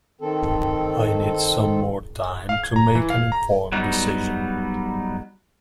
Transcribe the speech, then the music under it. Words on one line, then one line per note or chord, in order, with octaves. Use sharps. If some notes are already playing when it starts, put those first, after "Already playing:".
I need some more time to make an informed decision.
D#3 C4 A4
F5
G#6
A#5
E3
F5
A#5
F#3 G3 B3 D#4